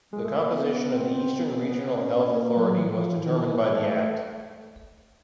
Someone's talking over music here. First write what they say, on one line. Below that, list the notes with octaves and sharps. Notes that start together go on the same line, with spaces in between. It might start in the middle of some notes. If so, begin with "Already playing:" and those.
The composition of the Eastern Regional Health Authority was determined by the act.
G#3
A3
A#3
B3
C4
B3
B3
C#4
A#3
F#3
E3
F3
E3
D#3
E3
E3
G#3
A3